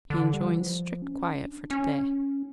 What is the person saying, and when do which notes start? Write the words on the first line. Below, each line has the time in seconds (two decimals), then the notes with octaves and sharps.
He enjoins strict quiet for to-day.
0.10 D3
0.34 G3
0.51 E3
0.57 F3
1.02 C#4
1.47 D4
1.71 C#4